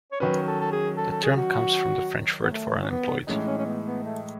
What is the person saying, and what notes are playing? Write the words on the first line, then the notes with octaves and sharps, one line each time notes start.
The term comes from the French word for "unemployed".
C#5
D#3 F#3 C#4 B4
A4
A4
G#4
A4
A4
G#4
F#4
B3
A3
C#4
B3
A2 E3 G#3 C#4 D#4
C#4
C#4
B3
B3
A3